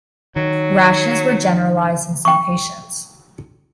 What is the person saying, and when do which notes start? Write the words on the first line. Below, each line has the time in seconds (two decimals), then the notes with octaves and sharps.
Rashes were generalized in some patients.
0.36 D#3 F#3
2.25 G5 C#6